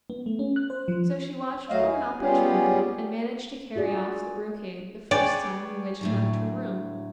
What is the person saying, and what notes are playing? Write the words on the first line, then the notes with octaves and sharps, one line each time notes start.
So she watched for an opportunity and managed to carry off the brocade the first time the witch left her room.
B3
A3
C#4
F#6
C5
F3
D#2 F#3 A3 F#4 D#5 F5
G#5
G3 B3 C#4 F4 G4 G#4
F4 F#4 G#4 D5
B3 G#4 C#5 D5 G5 G#5
A2 D3 F#3